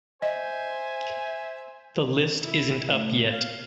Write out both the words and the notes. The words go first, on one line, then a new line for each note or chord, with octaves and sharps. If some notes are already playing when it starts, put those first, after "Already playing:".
The list isn't up yet.
C5 D#5 E5 G#5
E4
A2
F5